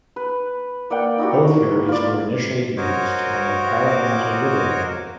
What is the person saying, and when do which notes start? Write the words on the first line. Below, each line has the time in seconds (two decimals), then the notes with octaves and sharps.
Both ferries were initially used on the Parramatta River run.
0.16 B4
0.90 A#3 D5 F#5 G5
1.18 D#4 E4 F#4 G4
1.88 F4 B4 D5
2.77 F#4 A#4 C5 C#5 D#5 D6